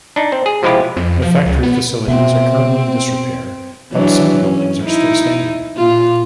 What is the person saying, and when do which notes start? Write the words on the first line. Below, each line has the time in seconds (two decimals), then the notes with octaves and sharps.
The factory facilities are currently in disrepair, but some buildings are still standing.
0.16 D4 D#4
0.32 C4
0.46 G#4
0.63 C3 F3 G#3 E4 F4 G4
0.96 F2
1.22 F3
1.45 C#2
1.63 B3
2.08 B2 C4 E5 F#5
3.93 E3 F#3 D4
4.42 C#4
4.85 D#4 E4
5.77 A#2 A#3 F4